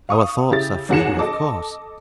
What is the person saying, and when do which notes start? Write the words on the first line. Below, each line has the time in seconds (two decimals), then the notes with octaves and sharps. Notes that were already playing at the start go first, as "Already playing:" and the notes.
'Our thoughts are free, of course.
0.09 F5 C#6 D#6
0.50 C#3 E4 G4 A6
0.89 F#1 D#2 F#4 G#4 C#7 E7
1.19 A4 D#5 A5 D6